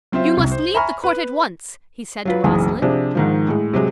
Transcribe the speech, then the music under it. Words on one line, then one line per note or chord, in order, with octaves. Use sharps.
"You must leave the Court at once," he said to Rosalind.
F#3 C4 F4 C5 E5
C2 C3
C5
E5 G#5 A#5 B5 C#6 F6
B4
F#3 F4 B4
F#1 B1 E3 G#4
C3 F3 D4 G#4
G#2 D#3 F3
A2 G#3
C3 F#3 G#3